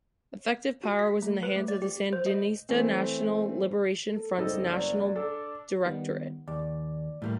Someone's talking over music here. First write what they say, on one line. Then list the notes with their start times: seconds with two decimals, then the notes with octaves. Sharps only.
Effective power was in the hands of the Sandinista National Liberation Front's National Directorate.
0.84 F#4
0.99 B6
1.22 A3
1.43 B4
1.56 A3
1.68 D5
1.82 G4
2.13 C5
2.26 D#5
2.69 E3 A3 C4
4.08 A#3 A4
4.38 F#1 G3 C4 D#4 A4 D#5
4.71 F#3 D5
5.16 D4 A4
5.85 D#3 G3 B3
6.48 D#2 D5
7.22 A2 G3 A#3